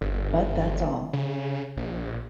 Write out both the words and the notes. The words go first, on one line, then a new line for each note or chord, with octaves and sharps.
But that's all.
G1
C#3
A#1